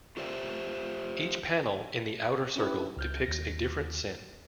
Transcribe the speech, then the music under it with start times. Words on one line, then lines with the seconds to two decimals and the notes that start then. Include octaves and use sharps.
Each panel in the outer circle depicts a different sin.
0.17 F4 G4 C5 D5 E5
2.56 C#4 D4 E4 G4 B4
2.97 C#2 F6 G6
3.26 D#2 A#6